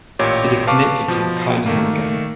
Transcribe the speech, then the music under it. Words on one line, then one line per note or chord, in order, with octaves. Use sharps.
It is connected to the Kinahan gang.
A1 A#2 G4 C#5
B4 F5 A5 C#6 D6
B2 F3
D#3 A3 A#3